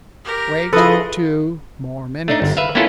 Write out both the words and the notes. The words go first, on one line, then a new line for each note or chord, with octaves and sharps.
"Wait two more minutes."
G4 A#4
F3 E4 G#4 A4 B4 D#5
A3 D4 D#4
G1
B4 E5 F5
A#3 B3 C#4 E4 F4 A4